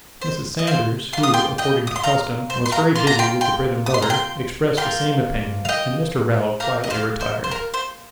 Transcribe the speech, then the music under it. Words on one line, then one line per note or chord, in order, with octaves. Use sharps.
Mrs. Sanders, who, according to custom, was very busy with the bread-and-butter, expressed the same opinion, and Mr. Raddle quietly retired.
C5
D#5
C5 F5
A#3 F4 C6
D#6
G5 C6
D#5 G5
D#6
C6
F5 A#5
C5
C6
F5 A#5
A#3 F4 C6
A#5
G5 C6
G5 C6
D#6
C6
A#5
G5 C6
A#3 F4 G5 C6
F5
D#5 G5
A#3 G4 F5 A#5
D#5
C5 F5
C5
C5
A#4
C5